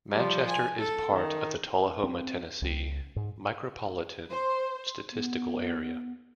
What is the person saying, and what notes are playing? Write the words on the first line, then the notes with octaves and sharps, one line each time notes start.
Manchester is part of the Tullahoma, Tennessee Micropolitan Statistical Area.
F3 G3
G#5
A4
D#3
C4
C#2
G#2
C5
B3